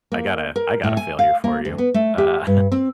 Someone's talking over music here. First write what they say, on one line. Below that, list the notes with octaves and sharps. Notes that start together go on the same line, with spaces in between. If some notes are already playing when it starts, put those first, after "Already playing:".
I got a I got a failure for you, uh
A#3
A#4
A2
G#5
F5
A#3
D2
B3
A3
G4
G2
C4